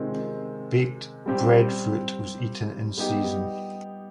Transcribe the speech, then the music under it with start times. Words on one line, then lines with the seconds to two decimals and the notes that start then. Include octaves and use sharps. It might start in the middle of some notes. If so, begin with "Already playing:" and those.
Baked breadfruit was eaten in season.
Already playing: C3 D#3 G#3 C4 F4
1.26 G3 C4 G4
2.97 G3 B3 D#4 G4